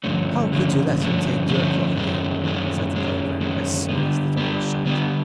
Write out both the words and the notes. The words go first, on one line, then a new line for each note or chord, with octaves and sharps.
"How could you let him take your clock again?" said Clover, as soon as the door was shut.
G2 D3 F3 A3 C#4
G2 D3 F3 A3 C#4
G2 D3 F3 A3 C#4
G2 D3 F3 A3 C#4
F#2 D#3 G#3 C#4
F#2 D#3 G#3 C#4
F#2 D#3 G#3 C#4
F#2 D#3 G#3 C#4
D3 G3 B3
D3 G3 B3
D3 G3 B3